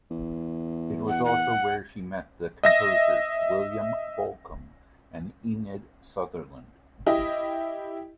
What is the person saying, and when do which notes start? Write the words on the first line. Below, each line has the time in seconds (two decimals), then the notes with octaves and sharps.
It was also where she met the composers William Bolcom and Enid Sutherland.
0.10 E2
1.09 F#5
1.25 F#5
2.63 D#5 E5 A#6
7.06 E4 G4 D#5